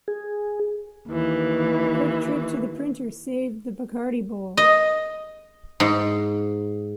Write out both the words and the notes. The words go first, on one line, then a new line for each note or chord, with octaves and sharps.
A quick trip to the printer saved the Bacardi Bowl.
G#4
D#2 E3
D#5
G#2